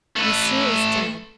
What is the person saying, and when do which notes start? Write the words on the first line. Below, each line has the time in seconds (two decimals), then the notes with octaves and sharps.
"Monsieur is dead."
0.16 A3 B4